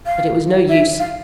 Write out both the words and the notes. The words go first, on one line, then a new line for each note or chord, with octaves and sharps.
But it was no use.
F5
E5
F5